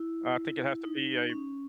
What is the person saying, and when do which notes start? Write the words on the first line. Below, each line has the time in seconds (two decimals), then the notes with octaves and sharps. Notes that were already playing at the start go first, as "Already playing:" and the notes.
I think it has to be a
Already playing: E4
0.84 D#4
1.30 C#4